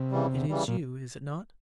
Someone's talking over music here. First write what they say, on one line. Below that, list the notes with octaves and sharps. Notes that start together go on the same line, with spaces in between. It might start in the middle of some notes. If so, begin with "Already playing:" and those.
"It is you--is it not?"
Already playing: C3
C#3 E3 G3
E2
C#3 E3 G3
A#2